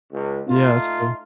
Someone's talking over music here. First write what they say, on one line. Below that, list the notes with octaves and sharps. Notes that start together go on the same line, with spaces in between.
Yeah, that's cool.
C#2
A3 D#4 F4